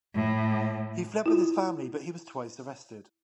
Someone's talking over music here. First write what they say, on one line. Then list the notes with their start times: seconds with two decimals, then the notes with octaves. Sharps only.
He fled with his family, but he was twice arrested.
0.14 A2
1.26 E4 F4